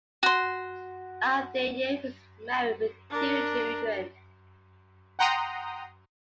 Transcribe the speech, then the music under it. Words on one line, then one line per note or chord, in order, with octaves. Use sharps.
Avdeyev is married with two children.
F#4 C6
D4 A#4
F#5 G5 A#5 C6 D#6